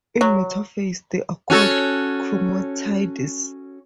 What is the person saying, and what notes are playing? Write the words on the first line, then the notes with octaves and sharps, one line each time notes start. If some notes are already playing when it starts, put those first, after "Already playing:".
In metaphase, they are called chromatids.
F#3
C#4 F#4 A4